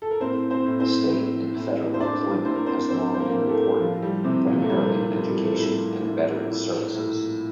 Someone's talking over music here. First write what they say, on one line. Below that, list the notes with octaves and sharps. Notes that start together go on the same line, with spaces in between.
State and federal employment has long been important, primarily in education and veterans' services.
A4
A#4
A2 C4 C5
C4 C5
A2
C4 C5
A2
A2
C5
A2 D4 D5
A2 C5
A#4
C4 C5
A2 C4 C5
C5
A#3 A#4
A2
G4
A3 A4
A2 F3 F4
G3 G4
A2 C3 C4
A#2 A#3
A3
A2 G3
A3
A2
G3
A3
G3
A2
A2
A2
A2